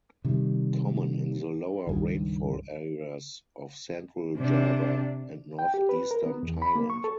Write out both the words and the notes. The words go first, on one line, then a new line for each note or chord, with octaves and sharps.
Common in the lower rainfall areas of central Jawa and northeastern Thailand.
C3 D#3 G3
C#2 G2 D#3
C3 D4
G5
G4
B4
A#4
B3
E2
B5
A#3
C#6
A4